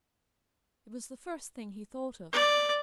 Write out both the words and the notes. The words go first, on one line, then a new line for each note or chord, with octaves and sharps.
It was the first thing he thought of.
D5